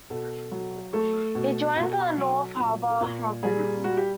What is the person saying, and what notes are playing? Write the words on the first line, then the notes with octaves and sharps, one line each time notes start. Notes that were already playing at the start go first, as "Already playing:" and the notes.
He joined from the North Harbour province.
B2 A4
F#3
A3 A4
B2
B2
F#3
A#2
A#2
G3 G#4
G3 F#4
G4